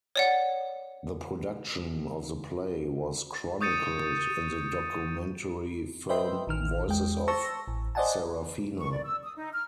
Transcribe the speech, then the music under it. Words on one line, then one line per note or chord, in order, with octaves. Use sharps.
The production of the play was chronicled in the documentary film "Voices of Sarafina!".
C#5 D5 F#5
C#6 D#6 G6 A6 C#7 D#7
B4 C5 D#5 E5 G5 C6
A1 D#3 F6
E2 G#3 G5
C5 A5 C#6 E6 A#6
A1
C5 D5 D#5 F#5 G#5 A5
C#6
D5
E6
D#6
D#4
F6